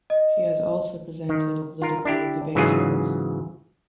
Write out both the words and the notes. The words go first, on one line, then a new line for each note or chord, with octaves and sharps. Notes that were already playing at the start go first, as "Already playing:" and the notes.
She has also presented political debate shows.
D#5
D#3
F4 A#4
D4 E4 G4
G#2 C#3 E3 F#3 F4 G#4